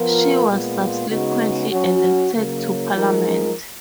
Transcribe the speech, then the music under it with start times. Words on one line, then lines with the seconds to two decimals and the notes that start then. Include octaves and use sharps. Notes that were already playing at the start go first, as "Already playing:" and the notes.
She was subsequently elected to parliament.
Already playing: F3 B3 F4 A#4
0.47 A#2 G#3 B3 F4
1.09 C#3 G#3 B3 D#4 F#4
1.69 F#3 C#4 F#4
2.32 C#3 F#3 A#3
2.93 F3 G#3 D#4 A#4